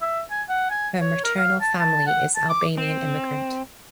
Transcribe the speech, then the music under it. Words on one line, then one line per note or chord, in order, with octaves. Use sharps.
Her maternal family is Albanian immigrant.
E5
G#5
F#5
G#5
C#5
A#4
F5
A5
A5
F#5
A5
D6
C4